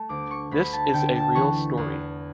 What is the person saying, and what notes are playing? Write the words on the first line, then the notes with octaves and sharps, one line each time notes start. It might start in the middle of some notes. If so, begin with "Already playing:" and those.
This is a real story.
Already playing: A3 A5
D2 D6
C#6
D2 B5
A5
D3 G5
A5
E3 C#6
E2